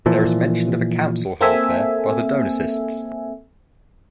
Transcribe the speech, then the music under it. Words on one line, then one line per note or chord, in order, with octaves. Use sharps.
There is mention of a council held there by the Donatists.
A#2 E3 F3
A#3 C4 A4 E5 G#5